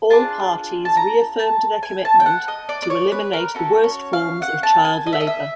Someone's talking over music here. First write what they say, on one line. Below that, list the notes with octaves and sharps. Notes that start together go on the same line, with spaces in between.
All parties reaffirmed their commitment to eliminate the worst forms of child labor.
D4 F4 G#4 A5
A5
A#5
A5
G#5
A5
G5
F#5
D#5
D5
D5
C#5
B4
A#4
C#4 F#4 A4
C#5
F5
F#5
A5
G#5
D#5
E5
D#5
E5